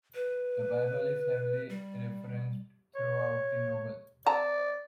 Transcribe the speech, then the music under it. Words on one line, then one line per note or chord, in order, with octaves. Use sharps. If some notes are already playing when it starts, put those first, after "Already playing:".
The Bible is heavily referenced throughout the novel.
B4
G3
C#5
C4 D5 A5 A#5